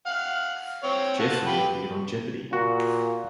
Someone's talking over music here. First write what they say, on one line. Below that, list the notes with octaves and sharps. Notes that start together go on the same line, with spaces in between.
Jeffrey appeared on Jeopardy!
F5 F#5
C4 C#5
F4 F#5 A5
G4 B4 G5
A#2 F#4